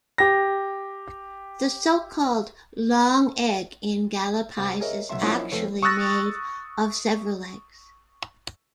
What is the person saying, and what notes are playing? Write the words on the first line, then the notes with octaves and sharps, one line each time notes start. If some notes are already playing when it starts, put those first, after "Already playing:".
The so-called "long egg" in gala pies is actually made of several eggs.
G4 A#6
C2
G#4 A#4 C#5 D#5 E5
B1 F#3 E5 C6
F3 F#3 A#3 C#4 D#4 E4
F2 A3 B4 C#5
C#6 D#6 E6 F#6 A6 A#6